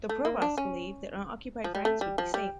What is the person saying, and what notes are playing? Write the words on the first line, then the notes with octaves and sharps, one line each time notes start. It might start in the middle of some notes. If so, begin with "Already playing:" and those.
The Provosts believed that unoccupied France would be safe.
A3
A#3
D4
C#4
F3
G3
A3
G3
F3
G3